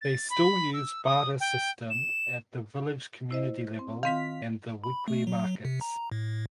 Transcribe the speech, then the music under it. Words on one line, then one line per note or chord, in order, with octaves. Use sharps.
They still use barter system at the village community level and the weekly markets.
A6
B5
E6
D#6
G5
E7
E4 C5 D#5
C4
D#3 C4 F4 F5 B6
B5
A3
F#3
C3
A#5
A2